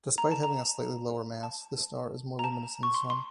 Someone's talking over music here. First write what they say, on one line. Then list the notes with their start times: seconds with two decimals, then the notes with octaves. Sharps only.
Despite having a slightly lower mass, this star is more luminous than the Sun.
0.18 A#5
0.31 A5
0.43 A#5
1.43 A5
2.39 A#5
2.44 A5
2.83 C#6
2.94 C6
3.10 C6